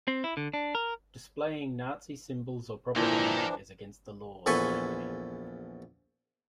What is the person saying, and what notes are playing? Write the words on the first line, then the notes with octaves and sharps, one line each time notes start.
Displaying Nazi symbols or propaganda is against the law in Germany.
C4
E4
D3
D4
A#4
A#2 E3 F3 D4 E4 A#4 G5
A#1 E2 A4 B4 G#5 C#6